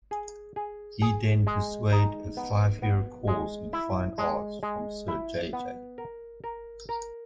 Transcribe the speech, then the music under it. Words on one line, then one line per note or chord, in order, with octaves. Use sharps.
He then pursued a five-year course in Fine Arts from Sir J. J.
G#4
G#4
G#4
G#3
D#4
B3
B3
G#3
E4
G#3
G#3
E4
B3
A#4
A#4
A#4